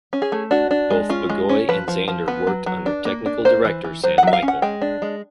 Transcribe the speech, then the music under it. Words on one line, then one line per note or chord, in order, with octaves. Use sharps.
Both Bigois and Zander worked under Technical Director Sam Michael.
C#4
G#4
A3
D4 F#4
D4
G#3
C#4 F4
G#3
C#4
F3 B4
F3
F3
B3 B4
F#3
F#3
D4
A#3
D4
A#3 C5
E3
E3
F#3 C5
F#5
F#3 E5
F5
C#4
F#5
G#3 G5
D4
G#3